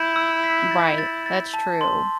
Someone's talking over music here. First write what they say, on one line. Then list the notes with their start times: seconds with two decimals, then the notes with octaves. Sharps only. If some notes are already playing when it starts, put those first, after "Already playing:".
Right, that's true.
Already playing: E4 G6
0.16 E6
0.44 B6
0.71 A6
0.98 A6
1.26 A6
1.54 A5
1.81 C6